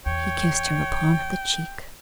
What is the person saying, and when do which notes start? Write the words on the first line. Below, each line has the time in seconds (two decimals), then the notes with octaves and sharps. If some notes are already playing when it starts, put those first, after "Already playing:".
He kissed her upon the cheek.
0.06 E2 C#5 G5